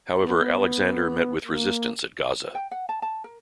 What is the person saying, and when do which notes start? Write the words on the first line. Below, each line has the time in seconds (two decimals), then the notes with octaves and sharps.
However, Alexander met with resistance at Gaza.
0.20 B3
1.46 A#3
2.55 G5
2.71 F#5
2.89 A5
3.02 A5
3.24 A#4